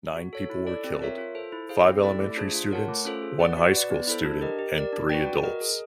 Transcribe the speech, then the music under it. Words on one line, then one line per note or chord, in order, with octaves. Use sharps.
Nine people were killed, five elementary students, one high school student and three adults.
F#4
A4 C#5
E4
A4 D5
C4
F4 A#4 C#5 E5
F4
A4 C5
E4
G#4 C5 F5
C4
E4 A4 D5
A3
D4 F4 G#4 C5
F4
A#4 C#5 F#5 A5
A3
C#4 F4 A4 C5
G#4
B4 D5 F#5
F#4
B4 D5
B3
E4 A4 C5
D4
G4 A#4 D#5
G4
A#4 D5
D4
F#4 B4 D5 G5
F#4
A#4 D#5
G#4